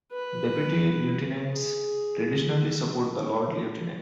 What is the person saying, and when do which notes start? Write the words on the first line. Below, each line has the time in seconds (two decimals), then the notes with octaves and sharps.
Deputy Lieutenants traditionally support the Lord-Lieutenant.
0.12 B4
1.51 G#4